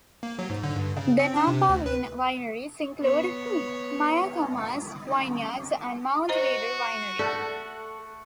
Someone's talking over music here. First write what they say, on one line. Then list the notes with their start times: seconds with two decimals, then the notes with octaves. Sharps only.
The Napa wineries included Mayacamas Vineyards and Mount Veeder Winery.
0.23 A#3
0.39 F#3
0.50 G#2
0.64 D3
0.76 G2
0.97 C#3
1.19 C4
1.36 D4
1.47 C3
1.69 D2
1.86 B4
2.99 B3 C#5
6.29 F#4 C5 D#5 A#5
7.19 A3 A4 D5 F#5